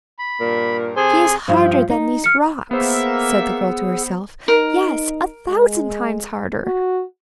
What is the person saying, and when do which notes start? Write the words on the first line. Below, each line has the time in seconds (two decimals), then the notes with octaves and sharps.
'She is harder than these rocks,' said the girl to herself, 'yes, a thousand times harder.
0.19 B5
0.41 G2 A#2 A#4
0.96 C3 G#4 A4 C5 G#5
1.48 G2 F3
1.90 D#4
2.24 F6 C#7
2.71 A#3 B3 G#4 C5 E5 F#5 E6
4.48 D#4 A#4
5.48 G#3
6.65 F#4